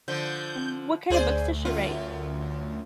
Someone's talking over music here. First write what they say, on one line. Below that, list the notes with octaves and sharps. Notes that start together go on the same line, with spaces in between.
Wh what kind of books does she write?
D3 F3 G6
D2 G#4 C5 D5
F#2 F4